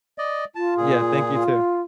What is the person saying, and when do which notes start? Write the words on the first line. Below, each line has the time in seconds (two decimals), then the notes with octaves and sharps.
Yeah, thank you, too.
0.18 D5 D#5
0.55 F4 A5
0.77 A#2 G#4
1.32 F4